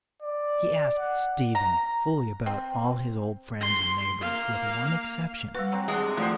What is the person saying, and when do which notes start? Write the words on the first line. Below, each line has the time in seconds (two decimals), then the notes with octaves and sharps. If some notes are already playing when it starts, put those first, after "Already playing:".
He asked Stephen fully about all his old friends and neighbours with one exception.
0.22 D5
0.99 F#5
1.55 A#5
2.46 C4
3.61 C6
4.21 A#3 F5
5.55 G3 F#4 B4
5.72 F#3 C4
5.88 C3 G#3 D4
6.17 D3 F3 A3 C5